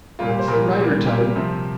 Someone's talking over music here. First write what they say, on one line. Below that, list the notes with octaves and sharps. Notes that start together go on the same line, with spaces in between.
'That's the writer-type.
A#2 G3 A#3 F4
G4
C5
A#2 G3 A#3 A#4
A#2 G3 A#3
A#2 G3 A#3 G4
C3 F3 C4